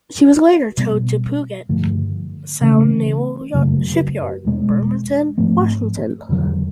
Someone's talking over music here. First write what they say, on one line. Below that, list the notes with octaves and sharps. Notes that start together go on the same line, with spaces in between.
She was later towed to Puget Sound Naval Shipyard, Bremerton, Washington.
B2 G3 B3
G2 D3 F3 A3
C#3 E3 A3 C#4
F#2 C#3 F#3 A3
E2 B2 G#3
G#2 F3 A3 C4
F2 D3 F#3